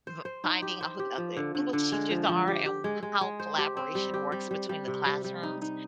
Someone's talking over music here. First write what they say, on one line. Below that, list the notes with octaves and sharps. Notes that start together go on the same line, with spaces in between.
v finding out who the other English teachers are and how collaboration works between the classrooms.
C5
C5
D#4
G4
C5
G4
F3
D3
D3
D3
G#3
F3
F3
G4
G4
G#3
G#3
G#3
C5
G4
C4
G3
G4
G3
G3
G3
C3
G3
G3
D#4
D#4